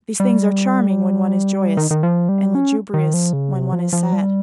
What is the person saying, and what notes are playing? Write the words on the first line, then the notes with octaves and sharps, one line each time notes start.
These things are charming when one is joyous, and lugubrious when one is sad.
G3
D#3
D#3
F3
G3
C#4
D#3
F3
C#3
C3
F3
F3
G3